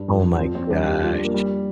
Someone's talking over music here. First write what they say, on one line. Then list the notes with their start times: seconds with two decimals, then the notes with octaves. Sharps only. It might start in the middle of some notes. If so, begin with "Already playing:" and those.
Oh, my gosh.
Already playing: G2
0.08 F2
0.24 F3
0.39 F3 C4
0.54 F3 C4
0.70 G3 D4
0.86 F2 G4
1.03 G3 F4
1.13 D4
1.18 G3 A#3
1.34 G3